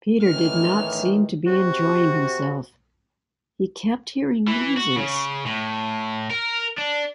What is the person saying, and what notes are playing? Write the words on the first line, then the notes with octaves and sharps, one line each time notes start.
Peter did not seem to be enjoying himself; he kept hearing noises.
A2 D#3 E3 F6
C3 F#4
E3
F#4
C#3
A2
A#4
D4